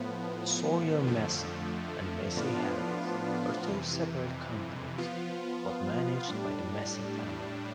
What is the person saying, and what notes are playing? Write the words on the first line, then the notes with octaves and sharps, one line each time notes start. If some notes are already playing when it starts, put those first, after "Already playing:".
Sawyer-Massey and Massey-Harris were two separate companies, both managed by the Massey family.
Already playing: A2 F3 B3
F2 D3 F3 A3
A2 F3 B3 D4 F4
F2 C3 E3
F3 B3 F4
A2 G3 D4